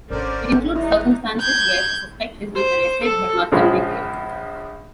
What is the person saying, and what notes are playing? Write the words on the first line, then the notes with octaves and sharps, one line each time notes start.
It includes circumstances where a suspect has been arrested, but not convicted.
G#1 D3 C#4 A#4 C5 D5
E3 G3 D#4 E4 D#5
G6 G#6
C5
A4
A#1 C#3 F3 G#3